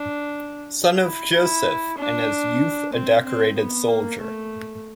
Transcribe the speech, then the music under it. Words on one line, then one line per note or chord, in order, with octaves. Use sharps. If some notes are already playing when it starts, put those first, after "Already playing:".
Son of Joseph, in his youth a decorated soldier.
Already playing: D4
E4
E4
D4
C4
C4
B3
A#3
A3